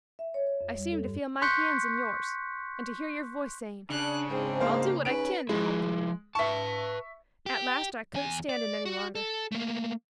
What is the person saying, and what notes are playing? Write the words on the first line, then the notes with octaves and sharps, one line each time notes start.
I seemed to feel my hands in yours and to hear your voice saying, 'I'll do what I can to help you.' At last I couldn't stand it any longer.
E5
C#5
C#5
F2
G3
A4
G2
C6 C#6 F#6 G6 B6 C#7
C#3 D4 F#6
G#2 C4 D4
A#3 C5 F5
C#3 C#4 D#4 B4 D7
F3 G#3 E4
B4 E5 A5 C#6
G4
E2 G#5
D5
F#4
A4
A3 A#3